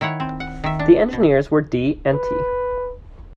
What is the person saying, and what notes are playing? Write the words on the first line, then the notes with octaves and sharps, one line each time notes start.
The engineers were D. and T.
D#3 E4 C#5 F#5
C4
F#5
D#3 E5
D4
B2
B4